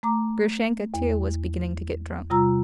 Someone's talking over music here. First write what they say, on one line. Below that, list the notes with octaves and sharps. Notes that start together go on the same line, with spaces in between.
Grushenka, too, was beginning to get drunk.
A3 A#5 D6
E2
C3 G3 F4 A#5 E6